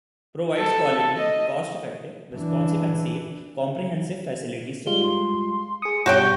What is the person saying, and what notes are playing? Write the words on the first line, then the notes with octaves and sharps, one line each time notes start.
Provides quality, cost effective, responsive and safe, comprehensive facilities support.
A4
D#5
E3 D4
G3 G#3 F4 G7
C6
G#4 D#6 C#7
G2 B2 G3 F#4 C#5 G5 G6